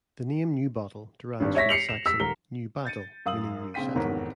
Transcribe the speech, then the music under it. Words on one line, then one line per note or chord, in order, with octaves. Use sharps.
The name Newbottle derives from the Saxon 'New Battle' meaning 'new settlement'.
G#1 G2
C#5 E5 A#6 B6
C7 C#7 F7 F#7
E7
E6 B6
D#1 A#4 G7
G6 A6 C#7 D#7
F#2 F5 D#6 E6 F#7
A#1 C#3 C4 G5 B6 D#7
F1 E2 G#2 D#3 C#5 A#5